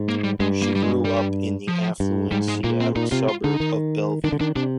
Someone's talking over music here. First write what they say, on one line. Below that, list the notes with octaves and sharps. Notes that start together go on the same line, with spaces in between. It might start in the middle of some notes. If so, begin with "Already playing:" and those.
She grew up in the affluent Seattle suburb of Bellevue.
Already playing: G#2
A#3
G3
G2 G#3
A#3
G3
G#3
G3
F3
G2
G#2 G3
G#3
A#2 A#3
C4
A#2 D#4
C3 F4
F4
D3 D#4
D#3
D#3 D4
D3
D#3 D4
C3 D4